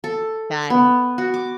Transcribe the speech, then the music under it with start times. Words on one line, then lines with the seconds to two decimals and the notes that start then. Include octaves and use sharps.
Got it.
0.04 A4
0.70 B3
1.18 F#4
1.34 D6